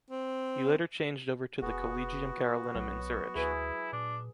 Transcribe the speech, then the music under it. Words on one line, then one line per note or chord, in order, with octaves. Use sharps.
He later changed over to the Collegium Carolinum in Zurich.
C4
F1 B3 F#4 G#4
B1 F#3
D2 E4 G#4 B4
A#2 D4